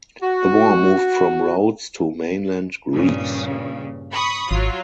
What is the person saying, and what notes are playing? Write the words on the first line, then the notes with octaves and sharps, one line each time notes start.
The war moved from Rhodes to mainland Greece.
F#4
G2 A#2 C#3
B5 C#6 D#6
G#1 F#3 F4